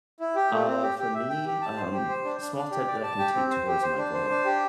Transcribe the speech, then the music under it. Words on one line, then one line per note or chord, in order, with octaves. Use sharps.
Uh, for me, um, a small step that I can take towards my goal.
E4
G4
A3
C4
G4
G4
E5
G5
G4
A5
C5
G4
C5
D4
D4
D4
G4
D5
A5
G4
C4
C5
G4
C5
D4
C5
D4
G4